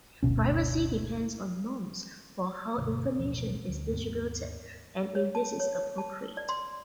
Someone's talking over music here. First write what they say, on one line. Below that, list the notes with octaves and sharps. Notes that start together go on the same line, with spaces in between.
Privacy depends on norms for how information is distributed, and if this is appropriate.
F#1 D2 B2 C#4
C#2 G2 B2 D3
A1 D#2 B2 F3
D2
D#2 G#2 B3 C4
C#5
A5
C#5
C#5
A5
D5
C6